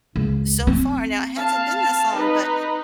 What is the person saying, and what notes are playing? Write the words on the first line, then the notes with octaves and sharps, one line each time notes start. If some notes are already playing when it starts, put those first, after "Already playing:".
so far. Now it hasn't been this long, but
C#2
C4
F5 A5
D#4 B4